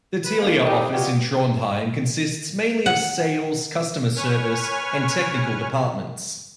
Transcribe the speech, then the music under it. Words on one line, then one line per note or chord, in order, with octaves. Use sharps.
The Telia office in Trondheim consists mainly of sales, customer service and technical departments.
B4
D3 D#3 A#3
A2 C4 D#4 E4 G4
F#3 G3 B3 F4 G4
F#5
B4 C#5 G#5 C#6 F6